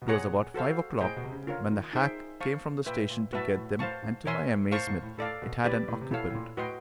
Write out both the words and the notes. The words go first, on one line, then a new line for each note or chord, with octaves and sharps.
It was about five o'clock when the hack came from the station to get them, and, to my amazement, it had an occupant.
B2
A#2 G#4 C#5 F#5 A#5
F#4 A4 C5 F5
A2 G#4 C5 D#5 G5
B2
C3
C#3
C#3
D3 F4 A#4 C#5
D#3
D#4 G#4 C5 E5 G5
C5 F5 A5 C#6
A#2 B4 E5 G5
A#2
A2 F#4 B4 E5 A5
A2
A2 C5 F5 A5 C#6
G#2
B2 A#4 C#5 E5 G#5 C6
A2 C5 F5 A5 C#6
G#2
A2
A2 A4 D5 F5
B2
A2 G4 B4 D5
A2
C3
B2 E4 A4 C#5 F5
A2
A#2
A2 F#4 B4 D#5 G5 C6